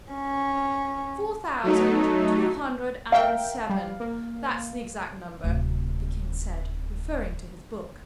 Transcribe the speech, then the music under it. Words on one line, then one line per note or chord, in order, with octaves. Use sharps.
'Four thousand two hundred and seven, that's the exact number,' the King said, referring to his book.
C#4
F#3 A3 D#4
A#4 E5 F5 G5
G3
A#3
D1 C3